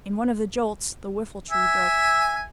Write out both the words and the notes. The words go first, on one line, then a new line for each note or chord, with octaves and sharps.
In one of the jolts, the whiffle-tree broke.
E5 G#5